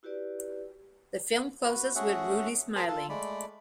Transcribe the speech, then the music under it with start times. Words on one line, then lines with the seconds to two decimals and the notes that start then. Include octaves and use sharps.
The film closes with Rudy smiling.
0.03 E4 F#4 G4 B4 D5
1.63 F#4 B4
1.95 A3 C#4 F#4 G#4 E5 F#5
2.76 G#4 A#4 C5 G#5 A5
2.88 F4 A4 A5
3.09 G#3 A3 D5 B5